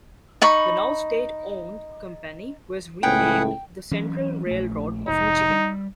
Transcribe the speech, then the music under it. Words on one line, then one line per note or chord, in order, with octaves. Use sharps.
The now state-owned company was renamed the Central Railroad of Michigan.
D#4 B5 C#6
C#2 A2 G#4 B4 F#5 G5
E3 F#3 C#4
A#1 A3
F1 G#2 D#4
G3